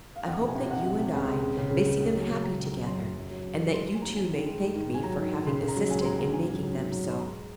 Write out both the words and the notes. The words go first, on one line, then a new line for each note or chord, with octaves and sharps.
I hope that you and I may see them happy together, and that you too may thank me for having assisted in making them so.
F5
F2 F#5
C3
G#5
C3
C3 F#5
C3
C3
C#2
G#3
C#3
C#3
C#3
C#2
C#2
F#3
C#2
C#2 A#5
C#2
A#5
F#3
F#2 C6
F#2
F#2
F#3
F#2
F#3
G#3 C6
G#3 C6
G#5
D#2 A#5
D#2 G#5
D#3
G#3
G#2
D#3
G#2
G#5
F#3 A#5
D#3
D#3
C#3 C6
C#3
A#5
F#3
C#2 G#5
C6
C#2 A#5
C#2 A#5
G#2 G#5
F#3
F#3
G#2
F#3
G#2 C6
G#3 A#5